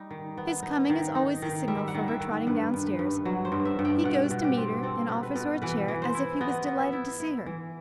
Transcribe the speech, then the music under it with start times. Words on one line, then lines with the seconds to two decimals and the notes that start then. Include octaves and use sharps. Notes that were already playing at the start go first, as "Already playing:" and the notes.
His coming is always the signal for her trotting down stairs; he goes to meet her and offers her a chair, as if he was delighted to see her.
Already playing: G3 D#4
0.11 D#3
0.37 B3
0.63 D#4
0.90 D#3
1.15 D#4
1.42 D#3
1.68 G3 E5
1.88 F#5
1.95 D#3
2.08 E5
2.20 D#3
2.47 G2 B4
2.74 G2
2.87 B4
2.99 G2
3.25 F#3
3.45 C5
3.52 G2
3.65 E5
3.79 G2
3.85 G5
4.04 B2 F#5
4.31 B2
4.44 G4
4.57 C4
4.83 C4 A4
5.09 B2
5.23 B4
5.36 B2
5.62 E3 B4
5.88 E3
6.02 C5
6.15 E4
6.41 B3 D#5
6.66 B3
6.80 E5
6.93 E4
7.20 E4
7.46 E3